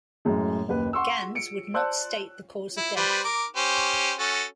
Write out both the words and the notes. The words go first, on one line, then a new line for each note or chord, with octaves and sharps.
Gins would not state the cause of death.
F#2 A2 G#3
F#1 D#2 B4
F#5 C6 C#6 E6
C#7 D7
C5 D5 A5 E6 F#6
E4
G3 B4 C5
A#4 D6
C#4 G4 C5
C#4 F#4 A4